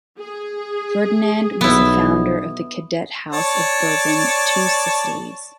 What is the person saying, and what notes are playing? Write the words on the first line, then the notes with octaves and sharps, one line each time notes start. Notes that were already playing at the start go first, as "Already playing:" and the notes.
Ferdinand was the founder of the cadet House of Bourbon-Two Sicilies.
G#4
B1 B3 E4
C#5 D5 A5